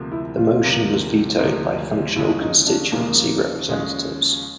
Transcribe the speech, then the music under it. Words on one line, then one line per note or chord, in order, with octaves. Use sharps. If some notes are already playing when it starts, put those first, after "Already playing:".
The motion was vetoed by functional constituency representatives.
Already playing: D2 C3 F3 A#3
E4
F4
D2 C3 F3 A#3
D2 C3 F3 A#3
D#2 C#3 F3 G#3 C#4 E4
D#4
D4
D#2 C#3 F3 G#3 A#3 C#4
D#2 C#3 F3 G#3 C#4